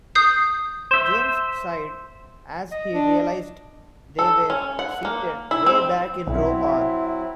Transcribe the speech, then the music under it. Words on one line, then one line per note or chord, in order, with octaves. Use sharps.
James sighed as he realized they were seated way back in row R.
D#6 G6 C7
C5 E5
D#5
D4
A4
C#4
F#5
A#3
E4
C4
B1 F#3 C4 E4 E5